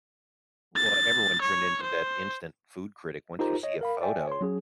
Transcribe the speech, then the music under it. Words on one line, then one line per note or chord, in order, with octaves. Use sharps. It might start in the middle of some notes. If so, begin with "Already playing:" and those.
Well, everyone turned into that instant food critic once you see a photo.
A6
C#5
C5
D#4 F4 G4 A#4 C5 A#5
C#5 D#5
A#4 F5 B5
D5 E5 G5 G#5
C#5 C6
F#3 C#4 G#4